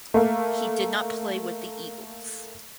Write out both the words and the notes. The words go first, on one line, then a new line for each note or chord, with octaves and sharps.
He did not play with the Eagles.
A3 A#3